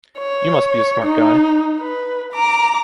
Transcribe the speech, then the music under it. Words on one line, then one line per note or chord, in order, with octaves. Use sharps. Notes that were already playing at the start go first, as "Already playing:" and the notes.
You must be a smart guy!
C#5
D#4
B4
A#5 D6